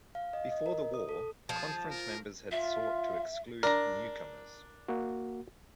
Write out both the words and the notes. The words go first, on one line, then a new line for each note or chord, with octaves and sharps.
Before the war, conference members had sought to exclude newcomers.
F5
D#5
D#5
A#4
D#6
A4
F3 G#4
A#4
F4 E5
D4 A#4 A#5
A#3 F#4